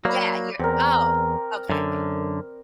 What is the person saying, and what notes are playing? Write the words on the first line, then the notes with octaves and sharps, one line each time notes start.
yeah you're oh, okay.
F#3 A#3 D5 B5
E2 C4 A#4
F#2 D3